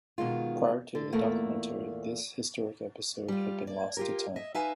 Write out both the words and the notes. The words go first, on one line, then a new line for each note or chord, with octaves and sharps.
Prior to the documentary this historic episode had been lost to time.
B2 D#3 G#3 F4
D3
E2 A#2 A3 A#3
G3 F4
D5
F4 G4 A#4
D#5 E5
D#4 B4 E5 F5 G#5